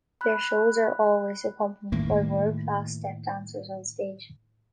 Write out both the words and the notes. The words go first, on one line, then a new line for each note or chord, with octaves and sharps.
Their shows are always accompanied by world-class step dancers on stage.
B5 F#6
A2 D#3 A#3